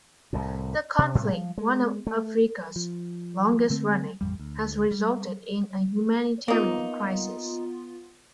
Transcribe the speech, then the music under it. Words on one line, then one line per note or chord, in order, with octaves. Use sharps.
The conflict, one of Africa's longest running, has resulted in a humanitarian crisis.
C2 A2
C3
A2 C3 G3 A3
F3
G#3
A3
F3
D3 A3 C4
A1 F2 G3
D2
G3
A#3 B3 D#4 F4